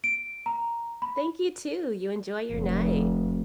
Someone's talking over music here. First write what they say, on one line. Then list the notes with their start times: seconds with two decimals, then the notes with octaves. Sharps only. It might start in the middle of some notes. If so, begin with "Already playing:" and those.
Thank you, too, you enjoy your night.
0.04 D7
0.46 A#5
1.02 B5
2.54 F1